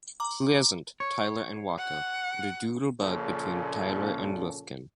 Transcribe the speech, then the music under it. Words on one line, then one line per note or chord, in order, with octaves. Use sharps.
Pleasant, Tyler and Waco, and a doodlebug between Tyler and Lufkin.
A#5 D6
C#5
F#5
A#1 A#2 C#3 C#4 A4